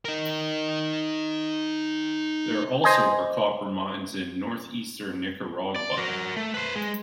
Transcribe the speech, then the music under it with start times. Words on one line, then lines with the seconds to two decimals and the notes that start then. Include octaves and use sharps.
There also are copper mines in northeastern Nicaragua.
0.05 D#4 A#4
2.84 C5 D#5 G#5
5.76 D5
5.97 F#4 A#4
6.36 A3
6.54 B4 C5
6.76 G#3